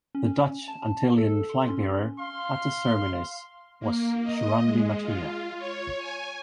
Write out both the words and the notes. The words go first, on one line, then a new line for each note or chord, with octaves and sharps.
The Dutch Antillean flagbearer at the ceremonies was Churandy Martina.
C#4
A5
A4
C6
C#4
F5 C6
A#3
D#5
G#3
F4
C#5
G#5